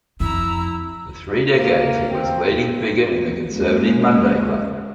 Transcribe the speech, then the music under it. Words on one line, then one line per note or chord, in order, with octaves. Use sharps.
For three decades, he was a leading figure in the Conservative Monday Club.
F2 E4 A#5 E6
A#3
C4
G#3 A#3 C#4